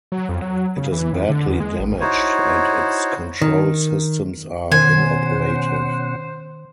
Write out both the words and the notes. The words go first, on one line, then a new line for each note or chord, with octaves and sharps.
It is badly damaged and its control systems are inoperative.
F#3
F2
F#3
C#3
E3
F2
D3
E2
G#3
A1
D#4 E4 F#4 C5 C#5
D#3
B2 D#3 C#4 C5 F#5 G#5